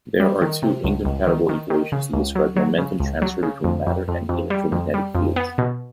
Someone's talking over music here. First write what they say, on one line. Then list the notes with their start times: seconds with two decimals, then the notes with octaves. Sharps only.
There are two incompatible equations to describe momentum transfer between matter and electromagnetic fields.
0.20 G3
0.42 D#3
0.62 C3
0.84 C#2
1.05 C#2
1.27 D#3
1.49 D#3
1.70 D#3
1.92 C#3
2.13 C#2
2.35 F#3
2.56 F#3
2.78 C#3
3.00 C#2
3.22 F#3
3.43 C#3
3.64 F2
3.86 F2
4.08 F2
4.29 F2
4.50 G3
4.72 F2
4.94 G3
5.15 F2
5.36 B3
5.58 B2